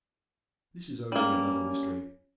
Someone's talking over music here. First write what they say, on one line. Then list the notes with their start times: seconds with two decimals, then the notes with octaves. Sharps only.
This is only another mystery.
1.12 G3 A#3 C#4